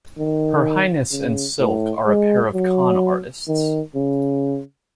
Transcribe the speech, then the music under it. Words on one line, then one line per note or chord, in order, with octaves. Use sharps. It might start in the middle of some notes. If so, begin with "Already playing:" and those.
Her Highness and Silk are a pair of con artists.
D#3
C#3
A2
G#3
F#3
D#3
C#3